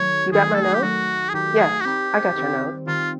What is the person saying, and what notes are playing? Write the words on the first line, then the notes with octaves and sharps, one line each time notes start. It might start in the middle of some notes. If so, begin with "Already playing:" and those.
You got my note? Yes, I got your note.
Already playing: D#3 F#3 A3 C#5
D#3 F#3 A3 G#4
A4
G#4
G4
D#3 F#3 A3 F#4
G#4
D#3 F#3 A3 G4
G#4
F#4
D#3 G3 C4 G4
D#3 G3 C4
D#3 G3 C4 F4